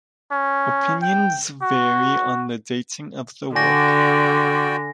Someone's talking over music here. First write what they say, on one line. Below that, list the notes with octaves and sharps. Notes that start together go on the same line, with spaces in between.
Opinions vary on the dating of the work.
C#4
G5
F#4
D3 F#4 D5 G5 G#5 A#6